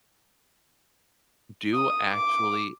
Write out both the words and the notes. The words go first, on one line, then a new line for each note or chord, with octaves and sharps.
do actually
D#6
D6